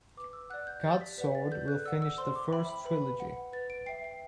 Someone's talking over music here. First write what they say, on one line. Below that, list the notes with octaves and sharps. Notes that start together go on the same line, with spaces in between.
God-Sword will finish the first trilogy.
B4 D6
E6
D5 F#5 F#6
G6
G4 A6
B6
B4 D5 F#5 B6
A6
A4 G6
F#6
D5 F#5 E6
E6
C5 C6
D6
E5 G5 B5
B5
B4 B5
F#5
B4 A6
D7
E5 G5 C7
C7